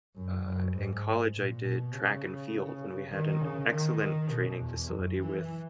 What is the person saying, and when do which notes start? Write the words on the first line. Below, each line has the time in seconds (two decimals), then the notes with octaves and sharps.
uh, in college, I did track and field, and we had an excellent training facility with,
0.15 F#2
0.45 F#2
0.75 G#2
1.35 A#2
1.63 B2
1.93 C#3
3.11 D#3
3.41 C#3
3.71 D#3
4.01 D#3
4.30 B2
4.59 E2
4.88 F#2
5.19 E3